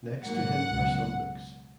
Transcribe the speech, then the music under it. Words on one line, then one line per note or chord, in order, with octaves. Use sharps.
Next to him are some books.
G#2 F#3 A#3 F#5
C#2 B2 F#3